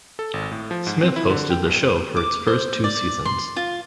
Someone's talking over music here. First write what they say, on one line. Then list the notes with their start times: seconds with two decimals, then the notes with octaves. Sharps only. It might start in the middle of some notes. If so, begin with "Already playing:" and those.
Smith hosted the show for its first two seasons.
0.19 A4
0.34 G#1
0.51 A2
0.71 F3
0.87 G#2
1.03 C4
1.16 E4
1.30 D3
1.50 G5
1.66 A1
2.17 D6
2.48 C5
2.84 D5
3.25 C6
3.56 F4